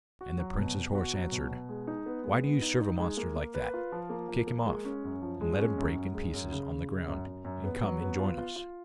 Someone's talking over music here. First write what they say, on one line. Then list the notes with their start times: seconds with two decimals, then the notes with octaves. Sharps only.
And the prince's horse answered, 'Why do you serve a monster like that? Kick him off, and let him break in pieces on the ground, and come and join us.'
0.21 F#4
0.39 F#3
0.58 B2
0.76 B2
0.95 F#4
1.13 F#3
1.31 B2
1.50 B2
1.69 G#3
1.87 D#4
2.06 B3
2.24 G#3
2.43 B3
2.62 D#4
2.80 D#4
2.98 G#3
3.17 A#3
3.36 A#3
3.55 B4
3.74 F4
3.92 F3
4.10 A#3
4.29 F3
4.47 A#3
4.65 G#3
4.85 C#4
5.04 F#2
5.22 F3
5.41 G#3
5.59 C#4
5.78 F#2
5.97 F#2
6.14 G#3
6.34 F#2
6.52 C#3
6.71 C#3
6.89 C#3
7.07 F#2
7.26 F#2
7.45 F#2
7.64 B3
7.82 F#3
8.01 B3
8.19 F4
8.38 F4
8.56 F4